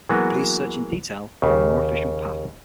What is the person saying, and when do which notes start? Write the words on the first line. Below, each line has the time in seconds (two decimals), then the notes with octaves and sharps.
Please search in detail for a more efficient path.
0.09 E3 F#3 G#3 A#3 B3 F#4
1.42 D#2 C#3